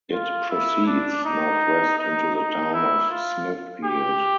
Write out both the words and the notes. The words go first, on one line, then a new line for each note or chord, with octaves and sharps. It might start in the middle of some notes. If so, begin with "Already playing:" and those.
It proceeds northwest into the town of Smithfield.
F4
E4
D4
D#4
D#4
D#4
E4
F4
G4